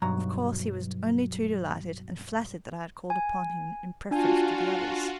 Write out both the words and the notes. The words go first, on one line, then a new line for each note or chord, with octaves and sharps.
Of course he was only too delighted, and flattered that I had called upon him in preference to the others.
B1 G2 F#3 A#5
G#5
D4 F4 F#4 G#5